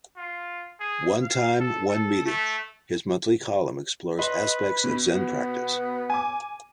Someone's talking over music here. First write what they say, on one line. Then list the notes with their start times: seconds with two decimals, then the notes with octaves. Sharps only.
"One Time, One Meeting," his monthly column, explores aspects of Zen practice.
0.17 F4
0.80 G#4
1.21 F5
1.59 A4
1.89 A4
2.26 A3
4.19 B4 D#5 C6
4.84 B2
5.12 B3
6.10 G#5 D6